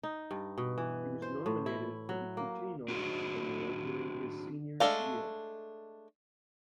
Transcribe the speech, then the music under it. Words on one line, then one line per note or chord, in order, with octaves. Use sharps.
He was nominated for the Cutino Award during his Senior year.
D#4
G2
B2
E3
C5
A2
E4
F#3
A#3
C4 D4 F#4 G#4
G#3 A3 D4 A4 F5